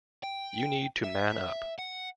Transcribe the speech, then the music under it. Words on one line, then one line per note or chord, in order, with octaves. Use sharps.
You need to man up!
G5
E5
F#5